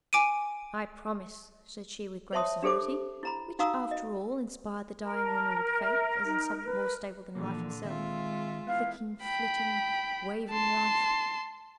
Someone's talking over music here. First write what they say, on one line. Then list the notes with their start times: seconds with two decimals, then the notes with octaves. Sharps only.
'I promise,' said she, with grave severity; which, after all, inspired the dying woman with faith as in something more stable than life itself,--flickering, flitting, wavering life!
0.13 G#5 D6 D7 D#7
2.33 C5 C#5 E5 A5 C6 D#6
2.63 D4 G4 A4 C5 D6
3.23 E4 A#5 B5
3.59 D#4 F#4 F5 A#5 D#6 E6
3.91 D#5
5.01 A#4
5.25 A5
5.79 E5
6.25 D#4
6.65 B4
7.35 A#2 D3 E3 F3 A#3
7.84 D#3 G#3 C4 F4 E5
8.67 B3 E4 F5
9.22 G5 B5
10.51 A5 C6